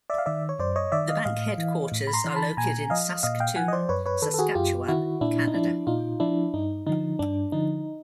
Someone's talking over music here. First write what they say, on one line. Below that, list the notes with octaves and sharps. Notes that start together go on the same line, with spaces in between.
The bank headquarters are located in Saskatoon, Saskatchewan, Canada.
D5 E5
F5
D#3 D5 E5
C#5
F#2 C5 D5
C#5 D#5
D#3 D5 E5
D#5 F5
A2 D#5 F5
E3
A2
B5
A#5 C6
E3
C6
A5 B5
A#2 G#5 A#5
F3 D#5 F5
A#2 D#5 F5
F5 G5
F3 F#5 G#5
D#5
C5 D5
F#2 B4 C#5
B4 C#5
D#3 A4 B4
A4
F#4 G#4
F#2 F4 G4
D#3 E4 F#4
A#2 D4 E4
D#4
F3 D4 E4
A#2 D#4 F4
F3 D4 E4
G2 D#4
D3 F3 D#4
G2 D4
D3 F3 D#4